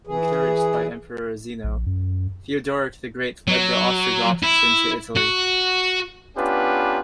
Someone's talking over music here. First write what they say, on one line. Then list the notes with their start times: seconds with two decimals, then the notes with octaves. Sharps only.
Encouraged by Emperor Zeno, Theodoric the Great led the Ostrogoths into Italy.
0.07 E3 G#4
1.64 A#1
1.86 F#2
3.48 F#3
4.43 E4
5.16 F#4
6.37 B3 C#4 D4 F4 G4 B4